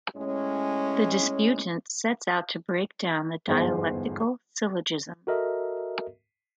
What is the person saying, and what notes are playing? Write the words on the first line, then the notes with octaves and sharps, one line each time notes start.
The disputant sets out to break down the dialectical syllogism.
A2 G#3 C#4
G1 E2 G#2 G#4 C5
F#4 A4 A#4 D#5 E5